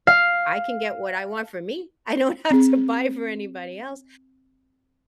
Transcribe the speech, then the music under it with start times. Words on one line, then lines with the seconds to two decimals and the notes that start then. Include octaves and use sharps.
I can get what I want for me. I don't have to buy for anybody else."
0.07 F5
2.50 C4 G#4